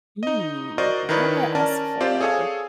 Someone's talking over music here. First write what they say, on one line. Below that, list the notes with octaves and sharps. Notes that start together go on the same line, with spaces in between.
Hmm, what would I ask for?
D#4 D#5
F#4 A#4 C5 D5 D#5
D#3 E4 A#4 B4 C#5 D5
C#4 A#4 D5 A5
C4 F4 G4 C5 D5
G#4 A4 C#5 F5 G#5 D#6